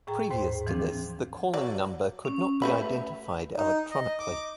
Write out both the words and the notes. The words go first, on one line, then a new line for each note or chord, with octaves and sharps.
Previous to this, the calling number could not be identified electronically.
A2 G#4 G5 A#5
D#2 G#2 G#4 C5
E3 F3 C4 D4
F#3 D5
C#4
A3 B4 E5 B5
D#4
D#5
D6